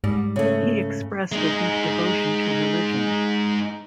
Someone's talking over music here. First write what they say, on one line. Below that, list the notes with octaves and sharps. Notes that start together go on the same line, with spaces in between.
He expressed a deep devotion to religion.
G#2 G3
C#3 A3
G#3 D#4